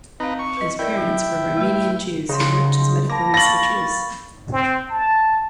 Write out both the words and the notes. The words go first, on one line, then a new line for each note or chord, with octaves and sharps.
His parents were Romanian Jews who worked as medical researchers.
C4 D#4 B4 F5
C#6
B4 D#5
E4 A#4 D5 G5
F#3
A3 B4
C#3 D#4 C5
A#3 A5 B5 D6 A#6
F5 B5 C#6 A6 A#6 F#7
C4
A5